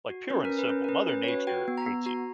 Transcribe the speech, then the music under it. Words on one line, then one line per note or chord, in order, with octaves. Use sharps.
like pure and simple. Mother Nature hates you.
F#4
C#4 B4
A#4
C#4
B4
C#4
A#4
C#4 B4
C#4 B4
C#5
F#4 B4
F#4 G5
B3
A#5
B3
F#4 A#5